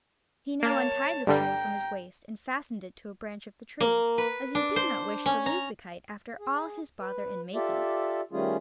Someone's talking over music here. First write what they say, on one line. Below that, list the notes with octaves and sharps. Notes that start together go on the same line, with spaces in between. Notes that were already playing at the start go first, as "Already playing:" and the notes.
He now untied the string from his waist and fastened it to a branch of the tree, as he did not wish to lose the kite after all his bother in making it.
A#3 C#5 A5
G2 D3 G3 G5 A#5
A#3
B4
D4
C5
C#4
A#5
G#4
B4
F4 G4 A4 D5 E5
D#3 G3 A3 C#4 F4 G#4